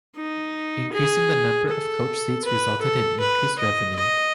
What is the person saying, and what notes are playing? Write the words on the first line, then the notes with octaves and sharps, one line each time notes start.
Increasing the number of coach seats resulted in increased revenue.
D#4
G#4
A4
B4
A4
B4
D#5
D#5